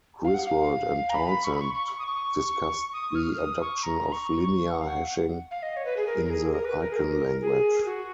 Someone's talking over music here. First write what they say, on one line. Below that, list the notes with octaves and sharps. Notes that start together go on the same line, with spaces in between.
Griswold and Townsend discussed the adoption of linear hashing in the Icon language.
F5
F#5
F5
A#5
B5
C#6
B5
C#6
C#6
D#6
C#6
D#6
F6
F6
D#6
C#6
A#5
C#6
C#6
F#5
F5
F#5
F5
D#5
C#5
B4
G#4
A#4
A#4
G#4
A#4
B4
A#4
G#4
A#4
G#4
F#4